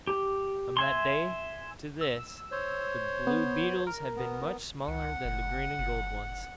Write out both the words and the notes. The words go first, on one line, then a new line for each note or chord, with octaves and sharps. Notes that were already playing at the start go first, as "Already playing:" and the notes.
From that day to this the blue beetles have been much smaller than the green and gold ones.
G4
E5 G#5 C6
E6
C5 C#5
B3
A#4
B3
C#2 F#5
F#1
F#1